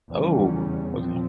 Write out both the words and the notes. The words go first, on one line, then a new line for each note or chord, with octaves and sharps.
Oh, okay.
E2 C#3 G3 C#4
A#2 F3 C4